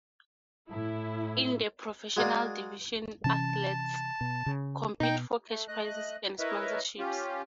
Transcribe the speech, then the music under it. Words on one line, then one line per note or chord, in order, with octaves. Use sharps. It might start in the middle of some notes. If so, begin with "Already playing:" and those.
In the professional division athletes compete for cash prizes and sponsorships.
A2 E4
G#3 F#4 G#4 A#4 D5 F5
C3 E3 C#4 A5
B2
C#3
B2 D#4 G5
A3
A3 D#5 F#6
E4 A#4 B4 C#5 D#5 E5
C#4 F4 G4